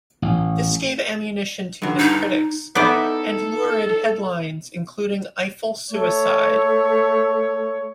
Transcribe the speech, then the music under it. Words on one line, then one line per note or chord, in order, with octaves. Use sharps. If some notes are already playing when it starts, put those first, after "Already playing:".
This gave ammunition to his critics, and lurid headlines including Eiffel Suicide!
A1
G2 D3
D#4
B3 D#4 E4 A4 D5 E5
A3 C#5